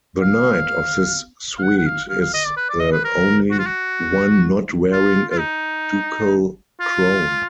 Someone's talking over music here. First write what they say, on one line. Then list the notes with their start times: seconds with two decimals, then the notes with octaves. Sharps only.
The Knight of this suit is the only one not wearing a ducal crown.
0.22 F5
1.59 F5
1.63 F#5
1.78 F#5
1.86 F5
2.10 F5
2.21 F5
2.34 D#5
2.45 D5
2.57 B4
2.69 D5
2.80 D#5
2.92 B4
3.04 A#4
3.51 F#4
3.59 F4
3.66 F#4
4.92 F4
5.31 F4
5.39 D#4
6.80 F4